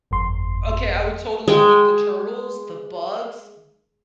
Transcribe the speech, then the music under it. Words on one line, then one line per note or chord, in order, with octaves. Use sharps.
O Okay, I would totally eat the turtles, the bugs,
G1 F2 C6
G#3 G5 G#5